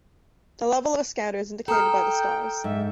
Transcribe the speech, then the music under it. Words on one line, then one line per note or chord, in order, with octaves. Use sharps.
The level of a Scouter is indicated by the stars.
A4 G5 A#5 D#6 F6
G#2 E5